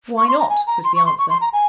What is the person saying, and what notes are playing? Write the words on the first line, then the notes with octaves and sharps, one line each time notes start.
"Why not?" was the answer.
C#6
C6
A#5
G#5
A#5
C6
C#6
C6
C#6
C6
A#5
G#5